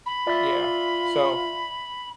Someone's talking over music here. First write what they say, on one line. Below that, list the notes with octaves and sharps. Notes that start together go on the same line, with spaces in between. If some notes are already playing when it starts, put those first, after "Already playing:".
Yeah. So,
B5
F4 D5 E5